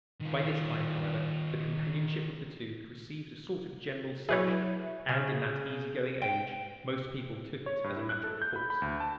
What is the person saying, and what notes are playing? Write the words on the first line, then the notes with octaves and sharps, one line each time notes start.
By this time, however, the companionship of the two had received a sort of general sanction, and in that easy-going age most people took it as a matter of course.
D#3 F4
F#3 E4 G#4 B4 C#5
C#3
G5
C#5
G2
E4
F#6
A4
G6
B5
B5
D2
A5